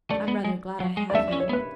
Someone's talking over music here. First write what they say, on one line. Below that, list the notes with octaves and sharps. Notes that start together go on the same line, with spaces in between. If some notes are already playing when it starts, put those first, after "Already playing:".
I'm rather glad I have one.
A3 D5
B3
G#3
F#3
G#3
D5
A3 E5
C#4 D5
C#5
B3
B4